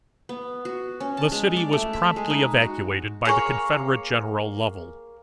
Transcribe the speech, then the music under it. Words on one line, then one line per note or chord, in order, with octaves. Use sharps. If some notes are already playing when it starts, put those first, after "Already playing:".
The city was promptly evacuated by the Confederate General Lovell.
B3
F#4
C#4
A5
G#3
D5
A3
E5
G#3
D#4
F#4
A#3 G#4 C#5